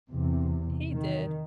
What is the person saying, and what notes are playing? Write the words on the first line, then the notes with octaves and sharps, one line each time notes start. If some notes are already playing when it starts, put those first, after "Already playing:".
He did,
E2 C3
D#3